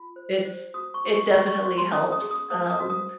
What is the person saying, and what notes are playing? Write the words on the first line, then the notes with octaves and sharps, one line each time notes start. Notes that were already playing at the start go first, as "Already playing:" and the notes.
Its It definitely helps, um,
Already playing: F4
C5
C5
F#4 D#6
C#6
F#4
C#6
F#4 C#6
C#6
F#4 C#6
C6
C#4 D#6
D#6
G#4
D#6
C5 D#6
D#6
F#4
D#6